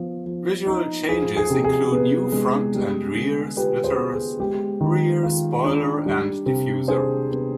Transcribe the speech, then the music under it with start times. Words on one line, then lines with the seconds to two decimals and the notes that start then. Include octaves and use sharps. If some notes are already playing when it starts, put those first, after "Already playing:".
Visual changes include new front and rear splitters, rear spoiler and diffuser.
Already playing: F3 B3
0.26 F3
0.67 D#4
1.09 F3 G#4
1.37 G#4
1.50 C3
1.64 G#4
1.92 B3
2.32 G#3
2.74 G3
3.15 D3
3.57 F4 G4 B4
3.84 G#4 C5
3.98 B3
4.12 G#4
4.39 G#3 G4
4.81 D#3
5.23 F4
5.64 D4
6.06 G3
6.46 C3
6.87 D4 G#4 C5
7.30 B3